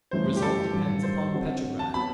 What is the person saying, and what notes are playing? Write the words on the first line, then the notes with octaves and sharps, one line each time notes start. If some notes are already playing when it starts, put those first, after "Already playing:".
The result depends upon Petrograd.
G1 F#2 E3 A3 E4 C5
G4
A4
A1 G2 F#3
C5
D3 F#3 C4 F#4 A4
A5
F#3 B3 B5